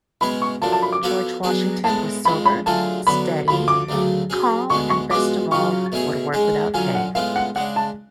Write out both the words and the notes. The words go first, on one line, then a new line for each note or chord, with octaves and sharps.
George Washington was sober, steady, calm, and best of all, would work without pay.
B2 G#3 C#4 G#4 C#5 B5
C#6
F#2 F3 A3 D4 A5
A5
B5
D6
F3 B3 F#4 A4 C#5
F#3 B3 D4 G#4
A2 G#3 B3 A5
F2 F3 G#3 B5
B5
D3 F#3 A3 F4 G#4 A5
D3 F#3 B3 D4 B5
D2 D3 F3 B5
D6
D2 C#3 F#3 A3
F#3 C#4 G#4
D2 D3 G#3 B3 C#6
C#6
F3 G#3 B3 F#4 D6
C#3 F#3 C#4 F4 C#6
B2 A3 C#4 G#4 C#5
G#2 G#3 C#4 G#4
D3 F#3 C#4 F4 G#5
F#5
A2 G#3 B3 F4 F5
F#5
C#3 G#3 D4 F#5
A5